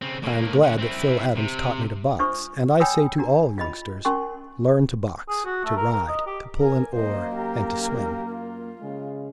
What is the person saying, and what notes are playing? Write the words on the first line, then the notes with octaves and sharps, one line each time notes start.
I am glad that Phil Adams taught me to box, and I say to all youngsters: Learn to box, to ride, to pull an oar, and to swim.
C#3 C4
A2 A#3
D3 C#4
C4 E4
C3
D4 F4 C5 E5 C#6 D#6
C#5 G5 G#5 B5 D#6 E6
D4 F#4 A#5
F4 D#5 B5
C#4 F#4 A#4 G#5 C6 C#6
G#4
F#4
A3
A#4
A#4
D#5
G4
A#4 G#5
F#2 A#3 C5 D#5
G4 A#4
F4
C#3 G#3